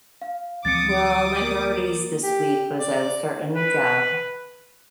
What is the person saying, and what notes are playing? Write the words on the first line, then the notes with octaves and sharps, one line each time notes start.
Well, my priorities this week was, I was starting a new job,
F5
D2 F3 C4 D6 D#6 A6 C#7
A#3
G4
D5
B4